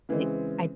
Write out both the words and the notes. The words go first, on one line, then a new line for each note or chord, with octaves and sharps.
I I
C#3 E3 G#3 C4